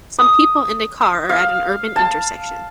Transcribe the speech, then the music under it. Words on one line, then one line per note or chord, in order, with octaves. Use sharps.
Some people and a car are at an urban intersection.
D#6
F5
A5